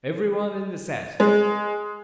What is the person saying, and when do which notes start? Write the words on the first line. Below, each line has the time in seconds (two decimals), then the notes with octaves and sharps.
Everyone in the set!
1.20 G#3